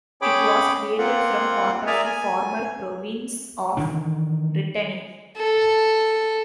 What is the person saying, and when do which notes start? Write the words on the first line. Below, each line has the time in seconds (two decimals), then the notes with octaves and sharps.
It was created from part of the former province of Brittany.
0.22 C#4 G#4 C#5 G5 B5 D6
0.98 A#3 C4 F4 F#5
1.87 G#4 A#4 D5 E5 G#5 A#5
2.05 G#5
3.77 D#3 E3 D4
5.37 A4